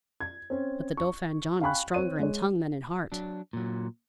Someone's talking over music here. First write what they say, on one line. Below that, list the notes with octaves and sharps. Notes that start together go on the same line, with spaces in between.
But the Dauphin John was stronger in tongue than in heart.
G#6
C4 C#4
C#6
F5 G5 G#5 B5 C#6 F#6
C4 C#5 D#7
G#3 C#5
F#3 D4
A#2 F#3